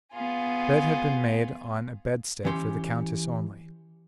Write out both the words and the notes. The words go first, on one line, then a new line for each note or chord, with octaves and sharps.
A bed had been made on a bedstead for the countess only.
B3 F4 G#4
E3 C#4 G4 C6